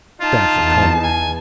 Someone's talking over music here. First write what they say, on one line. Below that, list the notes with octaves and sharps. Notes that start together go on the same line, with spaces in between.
Bad for Conway.
D#4 F4 A5
E2
G#5